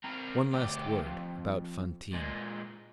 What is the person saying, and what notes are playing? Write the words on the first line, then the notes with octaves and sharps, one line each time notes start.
One last word about Fantine.
C4 A#4
D2 G4
F2
A#2 G#3